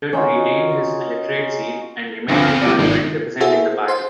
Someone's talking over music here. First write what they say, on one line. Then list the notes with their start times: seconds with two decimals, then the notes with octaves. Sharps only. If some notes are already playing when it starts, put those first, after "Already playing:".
Anderton retained his electorate seat and remained in Parliament representing the party.
0.13 C#4 D#4 F4 F#4
2.29 D2 G2 F3 B3 C4
2.43 F6
2.62 G3 D5 D6 A#6
2.79 G#1 F3 G#3 A#3
3.40 E4 F#4 G#4 A4 C5 E5
3.88 C5 C6